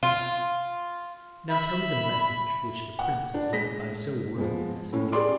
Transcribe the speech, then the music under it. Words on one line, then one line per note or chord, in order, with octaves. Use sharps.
"Now tell me the message which the Prince has sent by so worthy a messenger."
F4
E5 B5
F#5
D4
G#3 A#6 B6
F3 G#3 B3
A2 C#4
G4 G#4 D5 C6 D6